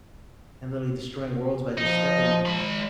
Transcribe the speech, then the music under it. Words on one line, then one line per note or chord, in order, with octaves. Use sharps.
and literally destroying worlds by just stepping.
F3 D#4
G#3 B5